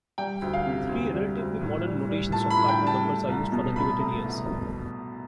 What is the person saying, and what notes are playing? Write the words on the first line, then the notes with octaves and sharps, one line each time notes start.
Three relatively modern notations of cardinal numbers are used for Tibetan years.
G3 G5
D2
F5
C3
D2
G3
D2
A2
G3
G3
A2 A5
B5
A2
G5
G3
A5
A3
C2
B2
C2 B5
A3
C2